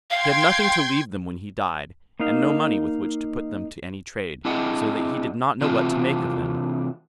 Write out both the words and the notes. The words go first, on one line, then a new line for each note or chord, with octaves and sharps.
He had nothing to leave them when he died, and no money with which to put them to any trade, so that he did not know what to make of them.
F5 G5 C6 G#6
A#3 D#4 F5
C4 D4 E4 G#4 D#5 F#5
C3 E3 C4 D4 F4 F#4